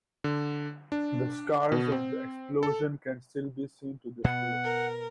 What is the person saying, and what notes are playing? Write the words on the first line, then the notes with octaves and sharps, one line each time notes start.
The scars of the explosion can still be seen to this day.
D3
D4
B2
C4
A4
B2 B3 F#5
A#4